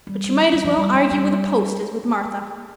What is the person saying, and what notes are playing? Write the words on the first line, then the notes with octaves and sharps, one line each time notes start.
But you might as well argue with a post as with Martha.
G3
G3
G#3
G3
F3
G3
G#3
G3